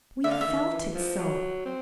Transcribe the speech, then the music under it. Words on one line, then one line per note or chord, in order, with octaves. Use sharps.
We felt it so!
D3 E5
F5
E5
D#3
E3
F3
F#3
C4